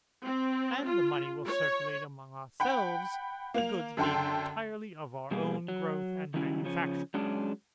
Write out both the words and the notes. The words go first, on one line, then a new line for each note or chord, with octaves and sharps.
And the money will circulate among our selves, the goods being entirely of our own growth and manufacture.
C4
F4
C#5
F#5 G5 B5
A#3 F7
F#2 D3 A4 G5 C6
B2 G3 A#3 G#4
F#3
D#3 F#3 G3 C#4 E4
C#3 F3 C#4
F#3 G#3 C#4 D4 G#4